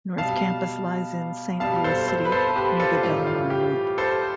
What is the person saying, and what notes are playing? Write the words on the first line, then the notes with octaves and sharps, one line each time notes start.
North Campus lies in Saint Louis City near the Delmar Loop.
B2 G3 F5 A5
B2 G3 F5 A5
A4 C5
A4 C5
B4
A4 C5
A4
G4 B4
F4 A4
A2 E3 G3 F4
F4
G4
A4 C5